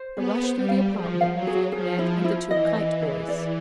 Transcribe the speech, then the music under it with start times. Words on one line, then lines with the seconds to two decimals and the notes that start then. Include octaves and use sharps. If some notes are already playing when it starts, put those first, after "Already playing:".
A rush through the apartment revealed Ned and the two kite boys.
Already playing: C5
0.17 B3 G#4
0.43 C5
0.55 G3
0.68 F5
0.94 F3 G#4
1.21 F5
1.34 F#3
1.47 G#4
1.72 F3 G#4
1.99 E4
2.24 E4
2.51 E3 D#5
2.76 D#5
3.02 G#4
3.28 D5